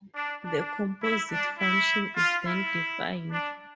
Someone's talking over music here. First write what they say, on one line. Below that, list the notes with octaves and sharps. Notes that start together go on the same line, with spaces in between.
The composite function is then defined.
D4
D4
E4
D4
E4
F4
E4
D4